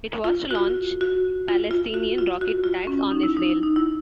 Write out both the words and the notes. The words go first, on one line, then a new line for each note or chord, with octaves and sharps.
It was to launch Palestinian rocket attacks on Israel.
F4
F#4
F4
F#4
F4
F4
F#4
F4
F#4
F4
C#4
D#4
E4
D#4
E4
D#4
E4